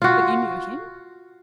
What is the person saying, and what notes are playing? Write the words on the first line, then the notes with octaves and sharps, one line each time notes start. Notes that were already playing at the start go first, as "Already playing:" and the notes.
"But you knew him?"
F4 F#4